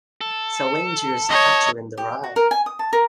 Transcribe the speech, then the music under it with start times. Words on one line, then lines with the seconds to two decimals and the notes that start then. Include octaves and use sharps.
Salinger's "Catcher in the Rye".
0.21 A4
1.29 C#5 D#5
1.98 G4
2.24 F#4
2.36 A#4
2.51 G#5
2.66 D#6
2.79 A5
2.93 A#4